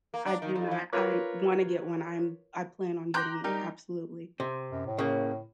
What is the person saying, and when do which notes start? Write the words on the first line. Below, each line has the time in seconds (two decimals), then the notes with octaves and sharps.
I do not, I wanna get one, I’m I plan on getting one, absolutely.
0.14 A#3
0.26 D4
0.42 D#3
0.55 F2
0.71 F3
0.93 F4 A#4 B4 C#5 D6
3.14 G5 A#5 C6 D6 F#6 G6 A#6
3.44 G3 D#4 G4 A#4
4.40 C3 C4
4.71 F#2
4.86 A2
4.98 C#3 A#3